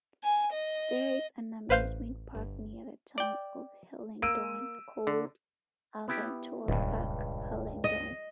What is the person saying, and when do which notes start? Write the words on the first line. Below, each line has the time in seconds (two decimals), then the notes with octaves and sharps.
There is an amusement park near the town of Hellendoorn called "Avonturenpark Hellendoorn".
0.24 G#5
0.52 D#5
1.69 A1 B4 C5 F5 C6 G6
2.35 G1
3.18 D5 G5
4.22 A#3 E6 D7 D#7
5.07 D3
6.08 B3 E4 G4
6.68 D#1 C#2 G2
7.84 D#5